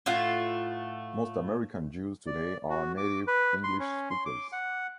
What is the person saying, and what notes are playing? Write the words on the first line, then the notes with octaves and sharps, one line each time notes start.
Most American Jews today are native English speakers.
A2 A3 F4 F#5
D5
F#4
D6
B4
C6
C#4
C6
D6
F#5